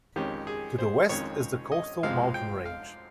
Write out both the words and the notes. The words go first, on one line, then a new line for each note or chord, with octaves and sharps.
To the west is the Coastal Mountain Range.
F2 D#3 G#3 C#4 G4
G#4
C5
F2 D#3 G#3 C#4 C#5
D#5
F2 C3 F3 G#3 C4 F5
G5
F5